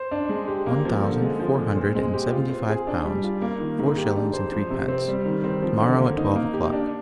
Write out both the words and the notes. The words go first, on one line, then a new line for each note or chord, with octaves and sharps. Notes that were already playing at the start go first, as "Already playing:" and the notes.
One thousand, four hundred and seventy-five pounds, four shillings, and threepence, tomorrow at twelve o'clock.
Already playing: C5
D4
G#3
G4
A#3
F3
D3
G#3
F3
A#2
C4
G#3
G4
F4
C4
G#4
D4
G3
F4
A#3
D#3
G#2
G4
D4
C5
F3
C3
C4
G3
D#3
C4
F3
D3
A#3
D#4
A#3
G4
D4